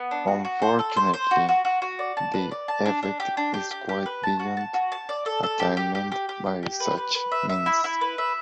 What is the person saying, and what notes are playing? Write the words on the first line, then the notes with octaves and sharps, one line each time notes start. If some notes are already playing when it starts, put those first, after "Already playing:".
Unfortunately the effect is quite beyond attainment by such means.
Already playing: B3
D4
F#4
F#4
C5
A4
C5
C5
F#4
F#4
F#4
F#4
D5
A5
B4
D5
A5
D4
D4
G4
D4
G4
G4
G4
B4
A5
F#4
A5
F#4
A5
D5
A4
A4
G4
G4
G4
G4
G4
G4
G4
B4
B4
B4
E5
E5
E4
E4
B4
E5